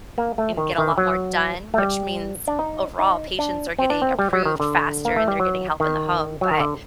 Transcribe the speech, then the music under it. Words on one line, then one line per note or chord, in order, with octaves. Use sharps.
and get a lot more done, which means, overall, patients are getting approved faster and they're getting help in the home, but
A#3
A3
D#3
D#3
F#3
A3
G3
D4
D#4
D#4
D4
C4
D4
C4
G3
F#3
D#3
D3
A#3
A3
G3
F#3
D#3
F#3
D#3
D3